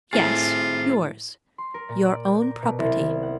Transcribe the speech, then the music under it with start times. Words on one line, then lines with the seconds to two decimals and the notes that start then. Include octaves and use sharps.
"Yes; yours--your own property."
0.13 A2 C4 F4 G#4
1.58 C6
1.74 A#4
1.89 A#2
2.05 D5
2.25 G6
2.42 A#4
2.63 B2
2.79 C2
2.98 D#1
3.23 F#5